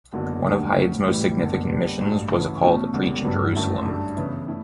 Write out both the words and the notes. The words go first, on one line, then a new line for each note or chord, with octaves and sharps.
One of Hyde's most significant missions was a call to preach in Jerusalem.
F#1 E2 D3 F#3
E1 D2 D3 G3 D4
D2 C#3 F#3 C#4
A1 A2 E3 G3
F#1 E2 D3
D3 G3 B3
A1 G2 F#3
D2 C#3 E3 A3
B2 A3 C#4 F#4 A4
E1 E2 C#3 G3
G1 G2 F#3 B3
F#2 D3 A3 C#4 E4
G2 F#3 A3 D4 A4
C#3 E3 B3 E4
A3 E4